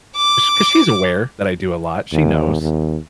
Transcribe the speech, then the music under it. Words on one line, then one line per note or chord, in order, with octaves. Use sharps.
Sh 'Cause she's aware that I do a lot, she knows.
D6
D#2
D#2